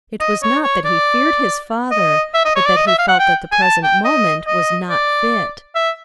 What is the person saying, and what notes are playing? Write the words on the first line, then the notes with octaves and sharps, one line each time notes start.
It was not that he feared his father, but that he felt that the present moment was not fit.
D#5
C#5
C#5
D5
D#5
E5
D#5
C#5
D5
D#5
E5
F5
F#5
G5
G#5
A5
G5
D#5
D#5
D5
E5